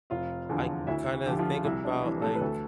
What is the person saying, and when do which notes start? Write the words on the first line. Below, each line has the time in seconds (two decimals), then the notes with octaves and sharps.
I kind of think about, like,
0.10 F1 F4 F5
0.49 E2 D3 F3
0.87 D2 E4 E5
1.26 D3 F3 G4
1.39 F3 F4
1.64 C2 E4
1.84 D4
2.03 C3 E3 E4
2.22 A3 A4
2.35 B4
2.41 D2 A3 A4